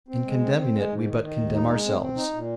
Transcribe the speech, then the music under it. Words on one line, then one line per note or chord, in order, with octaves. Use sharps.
In condemning it we but condemn ourselves.
C4
G#3
C4
C4
G#3
G#2
D#3
D#3
D#2
D#4
G#3
C4
C4
D#4
A#2